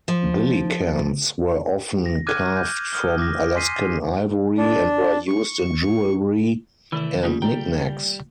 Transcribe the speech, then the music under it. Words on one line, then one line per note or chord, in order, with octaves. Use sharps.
Billikens were often carved from Alaskan ivory and were used in jewelry and knick-knacks.
F3
A#6
D6 F6 F#6 G#6 D#7
G6
D#6 F6 G7
D6 A#6
G#5 C6 B6 C7 D#7
D4
C#6
C3 D#3 E3 A3 E4 B5
F#2 C#3 G3 A3 A#3 F4
G3 D5 G5 A#5